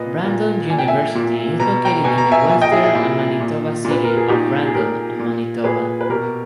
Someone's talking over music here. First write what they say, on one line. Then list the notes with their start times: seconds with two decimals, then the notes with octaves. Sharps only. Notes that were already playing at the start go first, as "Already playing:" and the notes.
Brandon University is located in the Western-Manitoba city of Brandon, Manitoba.
Already playing: A#2 B4 D#5
0.24 A#2
0.70 A#2 G#5
0.78 G5
0.88 E5 G#5
1.15 A#2
1.59 B2 A#5
1.85 G5 A#5
2.04 B2 G#5
2.18 A#5
2.32 E5 G#5
2.49 A#2 E5 G#5
2.62 D#5 G5
2.72 E4 G#4
2.83 E4 G#4
2.95 A#2 E4
3.40 A#2
3.85 A#2
3.91 B4
4.04 A#4
4.17 G#4
4.29 A#2 D#4 G4
4.65 G#4
4.74 A#2 G4 A#4
5.19 A#2
5.64 A#2 G#4 B4
6.01 B4
6.09 B2 G4 A#4